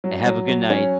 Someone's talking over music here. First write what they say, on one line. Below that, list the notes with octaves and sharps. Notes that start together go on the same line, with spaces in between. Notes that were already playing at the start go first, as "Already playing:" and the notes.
And have a good night.
F#3
F#3
F#3
C#4